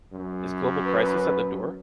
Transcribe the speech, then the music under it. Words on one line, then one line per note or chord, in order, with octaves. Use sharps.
Is global crisis at the door?
F#2
B4